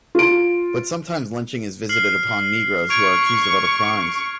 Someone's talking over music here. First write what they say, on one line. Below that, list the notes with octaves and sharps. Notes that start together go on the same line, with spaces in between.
But sometimes lynching is visited upon negroes who are accused of other crimes.
F4 D7
F6 C7 F#7
C#6 G#6 D7 F7